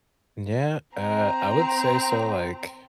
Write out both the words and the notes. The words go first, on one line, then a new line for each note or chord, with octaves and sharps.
Yeah, uh, I would say so, like,
C4 A#5